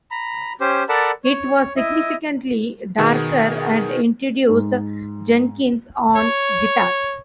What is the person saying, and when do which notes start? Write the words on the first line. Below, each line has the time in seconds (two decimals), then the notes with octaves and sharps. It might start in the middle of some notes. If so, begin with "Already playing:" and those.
It was significantly darker and introduced Jenkins on guitar.
0.11 A#5 B5
0.61 C#4 G4 C5
0.89 A4 A#4 D5 F#5 A5 B5
1.24 C#5
1.76 E4 D#5 E5
2.98 B2 D#3 B3 G#4
4.49 G#2
6.16 C#5